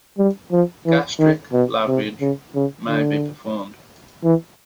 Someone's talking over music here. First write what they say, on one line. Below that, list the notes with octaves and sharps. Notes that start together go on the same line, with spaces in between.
Gastric lavage may be performed.
G3
F3
E3
D#3
B2
C3
C#3
C#3
D3
E3